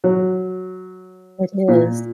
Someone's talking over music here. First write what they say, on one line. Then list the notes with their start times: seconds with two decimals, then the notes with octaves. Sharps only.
It is.
0.04 F#3
1.68 A#2